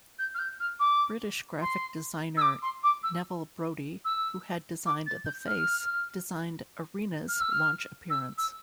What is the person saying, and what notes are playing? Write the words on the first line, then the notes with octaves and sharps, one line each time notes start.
British graphic designer Neville Brody, who had designed "The Face," designed "Arena's" launch appearance.
G6
F6
G6
F6
D6
C6
E6
D6
C6
D6
E6
E6
D6
A6
G6
F6
F6
E6
F6
E6
E6